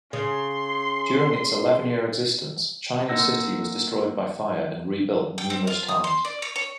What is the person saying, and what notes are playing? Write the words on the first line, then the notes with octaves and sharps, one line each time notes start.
During its eleven-year existence, China City was destroyed by fire and rebuilt numerous times.
C#3 C6
A#3 D#4 F#5 E6 A#6
G5
C4
F4
D#6
C6
D5
C#5
C#5